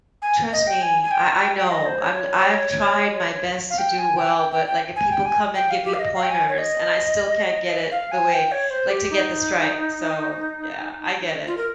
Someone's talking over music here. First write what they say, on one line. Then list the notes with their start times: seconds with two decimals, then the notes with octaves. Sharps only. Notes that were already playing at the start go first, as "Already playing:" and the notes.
Trust me, I I know, I'm I've tried my best to do well, but, like, if people come and give me pointers, and I still can't get it the way like, to get the strike, so yeah, I get it.
0.22 G#5
0.53 D#5
0.67 G5
0.82 G#5
1.03 G#5
1.11 G5
1.41 G5
1.56 G5
1.66 F5
1.71 D#5
1.86 C5
2.00 C#5
3.70 F5
3.78 G5
3.98 G#5
4.16 G5
4.37 G5
4.52 G5
4.66 G5
4.96 G#5
5.10 G5
5.25 G#5
5.55 G5
5.70 F5
5.85 G4
5.94 F5
5.99 D#5
6.15 F5
6.22 G5
6.30 G#5
6.49 C#5
6.58 D#5
7.91 F5
8.12 G#5
8.31 G5
8.52 C#5
8.70 C5
8.90 G4
9.11 D#4
11.47 F4
11.57 A#4